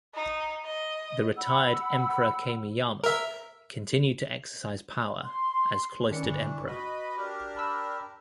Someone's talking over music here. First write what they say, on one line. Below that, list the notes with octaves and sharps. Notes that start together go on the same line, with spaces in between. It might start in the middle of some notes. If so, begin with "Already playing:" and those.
The retired Emperor Kameyama continued to exercise power as cloistered emperor.
D#4
D#5
F#5 B5 E6
A#4 E5
C6
D#3 E3 A3 C#4 D4 C#7
G1
F#4 B4 D#5 B5
D4 G4 A#4
A5 B5 E6